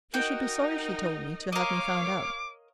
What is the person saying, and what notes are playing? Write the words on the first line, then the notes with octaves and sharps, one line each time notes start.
She should be sorry, she told me, to have me found out.
D#4 F#4 A#4 D#5 G5
A#4 C#5 D#5 F5 D6